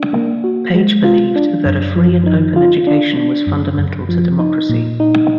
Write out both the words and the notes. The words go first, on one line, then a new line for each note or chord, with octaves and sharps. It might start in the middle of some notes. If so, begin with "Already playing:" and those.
Page believed that a free and open education was fundamental to democracy.
Already playing: D4
A#3
F#4
G#3
F4
D4
F#2
F3
D#4
F4
D4
D4
F#2
F#2
F3
D#4
A#2
D#4